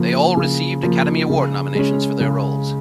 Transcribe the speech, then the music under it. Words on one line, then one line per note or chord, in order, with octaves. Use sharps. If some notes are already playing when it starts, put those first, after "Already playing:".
They all received Academy Award nominations for their roles.
Already playing: C#3 F3 A#3
C#3
F3 A#3
C#3
G#3 C#4
C#3